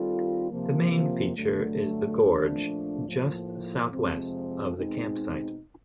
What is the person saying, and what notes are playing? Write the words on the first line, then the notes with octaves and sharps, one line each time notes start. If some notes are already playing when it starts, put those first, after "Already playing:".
The main feature is the gorge just south west of the campsite.
Already playing: D#3 G3 C4 F4 A4
C3 F3 A#3
G2 D3 F#3 A3
A#2 F3 A3 D4
A2 F3 A#3
F2 C3 F3 G#3 C4
B2 G#3 C4 D#4